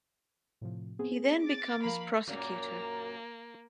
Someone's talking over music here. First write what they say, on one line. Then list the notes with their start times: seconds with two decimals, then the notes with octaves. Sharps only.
He then becomes prosecutor.
0.61 A2 C3 F3
0.99 B3 C4 G#4
1.42 D6 A6
1.81 F3 A#3 F5 A#5 B5 D7
2.27 F#2 A#2 A#3